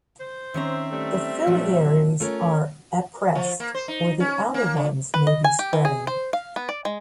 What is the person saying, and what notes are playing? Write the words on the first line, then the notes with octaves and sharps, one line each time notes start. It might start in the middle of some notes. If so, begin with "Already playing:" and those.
The phyllaries are appressed or the outer ones may be spreading.
C5
D#3 C4 C#4 E5 A#5
G3 A3
A#2 F3 F#3
A3 C#4 F4 A#4
F3
A#3
C5
D#4
C#4
A#3
D3
B4
D#5
G#5
G4
E3
G#4
C5
F5
B3
D5
G#3